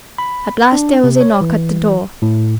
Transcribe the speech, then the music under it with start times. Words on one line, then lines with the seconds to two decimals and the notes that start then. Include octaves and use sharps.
At last there was a knock at the door.
0.18 B5
0.72 D4
1.04 C3
1.21 C#5
1.41 E3
2.22 A2